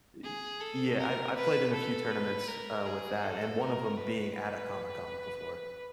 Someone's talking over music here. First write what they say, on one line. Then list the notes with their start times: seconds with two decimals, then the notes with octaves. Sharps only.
Y yeah, I've I've played in a few tournaments, uh, with that, and one of 'em being at a Comic Con before.
0.23 G#4
0.61 A4
0.98 A#4
1.36 B4
1.73 A4
2.11 B4
2.48 A#4
2.86 G#4
3.23 A4
3.61 A#4
3.98 B4
4.35 B4